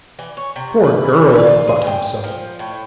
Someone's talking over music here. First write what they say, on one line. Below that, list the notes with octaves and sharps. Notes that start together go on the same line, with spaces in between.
'Poor girl,' he thought to himself.
E3
C#5
C3
B4
G3
F4
G#4
G5
F3
A2